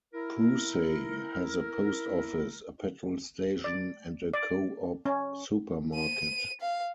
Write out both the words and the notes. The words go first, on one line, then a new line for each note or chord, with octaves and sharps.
Pewsey has a Post Office, a petrol station, and a Co-op supermarket.
E4 A#4
D5
D5
C#4
D#7
F5